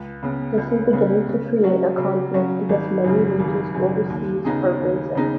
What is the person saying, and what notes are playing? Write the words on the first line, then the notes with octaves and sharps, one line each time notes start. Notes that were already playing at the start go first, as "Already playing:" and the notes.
This is beginning to create a conflict because many wages overseas are raising.
Already playing: C#2
C#3 B3
C#2
C#3 B3
C#3
F#3 C#4 F#4
C#3
F#3 C#4 F#4
G#1
F#2 C#3
G#1
F#2 C#3
D#2
C#3 B3 D#4 G#4
D#2
C#3 B3 D#4 G#4